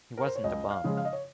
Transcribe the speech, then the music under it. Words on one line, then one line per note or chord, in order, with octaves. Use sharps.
He wasn't a bum.
A#4
C5
C#5
C#2 D#5
F5
C#3 F3 G#3 C#4
F5
D#5
C#5